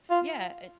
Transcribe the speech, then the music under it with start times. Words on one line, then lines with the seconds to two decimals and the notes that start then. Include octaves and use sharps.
yeah, uh,
0.11 F4